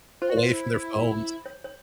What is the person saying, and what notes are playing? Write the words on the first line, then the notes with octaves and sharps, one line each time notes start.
away from their phones,
F4 C5
F#4
F4
E4
C#5
C#5